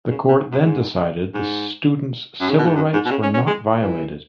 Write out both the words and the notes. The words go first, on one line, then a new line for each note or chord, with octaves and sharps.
The court then decided the students' civil rights were not violated.
C#3
B2
G#2
F#2
G#2
G#2
F#2
C#3
B2
G#2
F#2
G#2
B2
C#3
C#4
C#4
G#3
E3